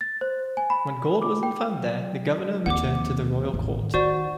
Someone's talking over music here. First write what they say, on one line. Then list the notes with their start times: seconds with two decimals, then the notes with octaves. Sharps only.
When gold wasn't found there, the governor returned to the Royal Court.
0.01 A6
0.21 C5
0.57 G#5
0.70 B5
1.22 D6
1.43 G5
1.77 F#3
2.66 D#2 C4 F#5 D6
2.95 F3
3.53 A1 E2 D#3
3.94 D#4 F#4 C5 D5